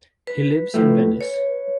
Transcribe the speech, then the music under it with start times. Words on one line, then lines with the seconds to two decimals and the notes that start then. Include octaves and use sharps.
He lives in Venice.
0.27 B4
0.74 A2 F3 A3
1.21 C#5